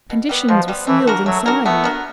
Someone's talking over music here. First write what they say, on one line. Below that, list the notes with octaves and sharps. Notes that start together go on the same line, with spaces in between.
Conditions were sealed and signed.
B2
G3 B3
B2 F3
G3 B3
E3 A3
D4 F#4 A#4
F#3 A3
D4 F#4 A#4
A3 B3
D4 F#4 A#4